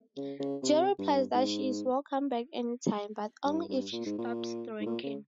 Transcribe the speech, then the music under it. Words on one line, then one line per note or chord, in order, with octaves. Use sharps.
Joe replies that she is welcome back anytime, but only if she stops drinking.
C#3
C#3
C3
G2
G#2
G2
G2
A#2
G#2
A#2
G#2
A#2
C#3